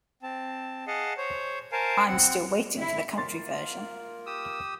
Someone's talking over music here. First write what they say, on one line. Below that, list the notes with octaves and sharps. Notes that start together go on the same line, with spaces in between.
I'm still waiting for the country version.
C4 A5
G#4 D#5 F5 F#5 A5
C5 C#5
A#4 C5 F5 G#5 A5
C4 F#5
E4
A#3 F4 A#4 C6 A6
G4 D#6 E6